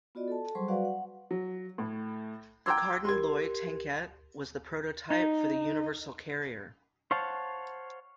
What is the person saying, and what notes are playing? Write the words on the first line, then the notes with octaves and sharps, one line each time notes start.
The Carden Loyd tankette was the prototype for the Universal Carrier.
B3 F4 F#4 D5 D#5
A4 A5
F#3 G3 G#4 C5 C6 C#6
F#4 B4 D5 F5 F#5
F#5
F#3
A2
G5 A#5 C6 D6 E6 G#6
G4 A#4 C6 G#6
D#4
C5 C#5 F5 F#5 A5